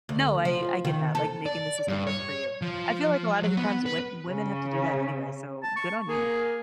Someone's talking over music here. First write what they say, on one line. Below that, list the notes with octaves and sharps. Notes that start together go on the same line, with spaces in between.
No, I I get that, like, making the system work for you. I feel like a lotta the times wo women have to do that anyway, so good on you.
D2
F3
D#3
A4
D5
G2
C#5
F3
F#3
B3
B4
C#3
A5
C#6
A#3 G#4